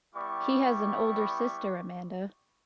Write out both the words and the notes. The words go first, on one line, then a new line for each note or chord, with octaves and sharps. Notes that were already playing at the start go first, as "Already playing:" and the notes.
He has an older sister Amanda.
G3 B3 E4 D5 C#6 D6